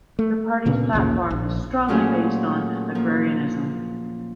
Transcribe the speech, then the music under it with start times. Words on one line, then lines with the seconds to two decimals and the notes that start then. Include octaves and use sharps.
The party's platform is strongly based on agrarianism.
0.19 A3
0.65 D2 A#2 C#3 B3
0.93 A1 D#2 A#2 C#3
1.30 A#1
1.88 A#2 F#3 A3 C#4 F4 G#4
2.95 F3 A#3